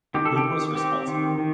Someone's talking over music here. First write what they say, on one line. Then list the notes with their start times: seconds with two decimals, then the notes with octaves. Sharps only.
Who was responsible?
0.14 D#3 G4
0.26 A4
0.37 G4
0.45 D#3
0.75 C4 G4
1.07 D#3
1.38 D#3